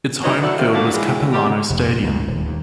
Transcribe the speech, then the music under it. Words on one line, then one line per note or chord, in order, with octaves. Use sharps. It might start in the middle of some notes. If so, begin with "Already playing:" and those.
Its home field was Capilano Stadium.
F#3 G3 B3 C4 D#4
F#3 D4 E4 F#4 A4
G#2 C3 D#3 F5
A3 A#3 D4 D#4 F#4
E3 F#3 G#3
G3 G#3 G4
F1
A#2
D2
D#1
D#2